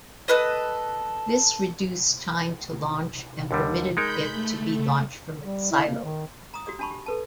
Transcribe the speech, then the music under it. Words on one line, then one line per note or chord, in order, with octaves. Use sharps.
This reduced time to launch and permitted it to be launched from its silo.
A4 B4 D#5
D#2 D3 G3
G#3 D#4 A#4 B5 G6
A3
G3
E4
A#3
D#3
A#5 D#6
F#4 G4 D5 D#6
D4 F#4 A5 B5 C#6
G4
A4 B4 A5